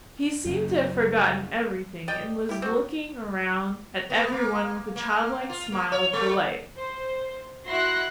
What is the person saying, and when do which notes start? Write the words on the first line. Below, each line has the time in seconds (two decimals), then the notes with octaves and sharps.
He seemed to have forgotten everything, and was looking round at every one with a childlike smile of delight.
0.45 F#2 C#3
2.08 D5 D#5 G5
2.49 E4 G4
2.62 C4 F#4
4.10 B3
4.32 A#3
4.96 A#3
5.50 F4
5.72 A#3
5.92 C#5
6.13 G#3
6.76 C5
7.66 E4 F#4 E5 C6 F#6 A#6